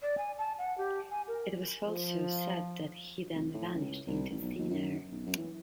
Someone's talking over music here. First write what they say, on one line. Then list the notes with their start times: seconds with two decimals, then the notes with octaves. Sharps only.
It was also said that he then vanished into thin air.
0.02 D5
0.18 G#5
0.38 A5
0.58 F#5
0.78 G4
1.11 G#5
1.28 A#4
1.86 F3
3.34 F1
3.54 A2
3.74 C#2
4.07 C2
4.30 A1
4.42 B1
4.58 D#2
4.70 F#2
5.12 B1
5.26 F#2
5.38 E3